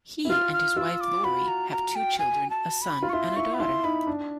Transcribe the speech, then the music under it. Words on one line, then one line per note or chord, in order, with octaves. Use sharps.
He and his wife Laurie have two children, a son and a daughter.
E4
F4 F6
F6
F4 E6
D6
F#4 B5
A#5
A#5
G5
G#5
A5
B5
F4
C#6
E4 C6
E4 C#6
B5
E4 C6
D#4 B5
D4